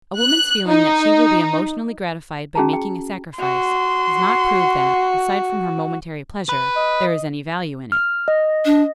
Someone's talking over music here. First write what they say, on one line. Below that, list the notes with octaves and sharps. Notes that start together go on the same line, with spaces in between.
A woman's feeling that she will be emotionally gratified by making a sacrifice does not prove that, aside from her momentary pleasure, there is any value in it.
F#6
D#4
C#4 F#4 G#4 A5 A#5
G5
F#4 C6
B4
D#5
F6
D#5
D4